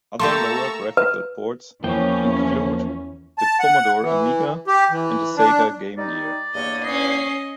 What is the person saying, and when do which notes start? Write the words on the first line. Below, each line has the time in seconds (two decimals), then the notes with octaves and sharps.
Other lower graphical ports include the Commodore Amiga and the Sega Game Gear.
0.19 A3 A#3 G4 A5 A#5 C6 C#6 E6
0.97 B4
1.84 E2 E3 F3 A#3 C#4 G5
3.39 A5
3.60 F#5
4.02 E3
4.68 G4
4.90 E3
5.37 D4
5.98 G3 D#4 D5
6.55 E2 G2 A#3 C#5 D#5
6.84 C#4 D#5 C7